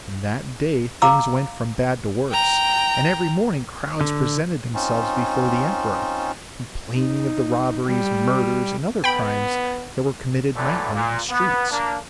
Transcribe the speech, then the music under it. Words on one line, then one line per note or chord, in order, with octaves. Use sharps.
From that day things went from bad to worse, and every morning crowds presented themselves before the emperor, complaining of the robberies, murders, and other crimes that were committed nightly in the streets.
F5 A#5 D6 E6
G5 A#5
D3
C4 C#4 D#4 F4
D#4
G3
B3 G5 B5
A2 D3 E3 F#3 A3 D4
A#2
B3
A#3 D4